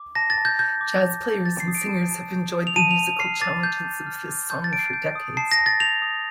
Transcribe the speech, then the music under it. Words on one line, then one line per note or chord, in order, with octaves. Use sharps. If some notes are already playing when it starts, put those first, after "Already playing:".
Jazz players and singers have enjoyed the musical challenges of this song for decades.
Already playing: D6
A5 A#6
A6
A5
G6
G6
D6
A5
A5
G6 A6
C7
D#6
D7
A5
A5
G6
D#6
F7
A5 D#7
F7
A5
F6 C7
D6 A6
A5 G6
A5
F6
D6
A5 G6
A6
A5 D7
C7
G6
D#6
A5 C7
A#6
A5
A6
G6 F7
D#6